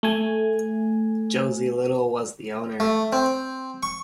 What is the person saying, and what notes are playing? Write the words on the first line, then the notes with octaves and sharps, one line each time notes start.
Josey Little was the owner.
A3 G#5
A3
C4
C#6